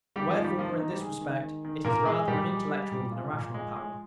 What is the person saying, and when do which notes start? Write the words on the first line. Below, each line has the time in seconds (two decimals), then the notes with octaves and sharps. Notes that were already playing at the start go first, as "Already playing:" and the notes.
Wherefore in this respect it is rather an intellectual than a rational power.
0.16 D#3 G3 G4
0.30 F3 F4
0.37 D#3
0.44 G3 G4
0.58 F3 A#3 F4
0.69 D#3 D#4
0.79 D#3 A#3 D#4
0.90 G3 G4
1.01 D#3 G#3 G#4
1.21 D#3
1.43 D#3
1.65 D#3
1.85 A#2 A#3 A#4
2.06 G#3 G#4
2.27 A#2 G3 G4
2.48 G#3
2.69 G#3
2.91 A#2
3.12 F3 G#3 F4
3.33 A#2
3.54 G#3
3.75 G#3